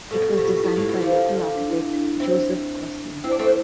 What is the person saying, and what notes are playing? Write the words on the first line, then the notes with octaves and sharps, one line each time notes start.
It was designed by local architect Joseph Gosling.
B2 A4
G4
B2
F4
B2 E4
A2
B2
D3 F3
D4
E4
D4
C4 D4 E4
C4 E4
D4
A3 C4